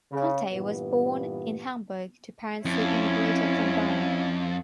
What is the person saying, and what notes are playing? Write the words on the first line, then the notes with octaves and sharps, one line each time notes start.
Conteh was born in Hamburg to parents who emigrated from Ghana.
C#3
G2 A#2 E3 B3
F2 C#4 E4